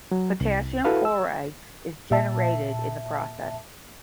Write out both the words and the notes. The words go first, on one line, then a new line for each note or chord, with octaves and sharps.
Potassium chloride is generated in the process.
F#3
C2
E4 F#4 A4 B4 F5
E6
A#2 E5 A5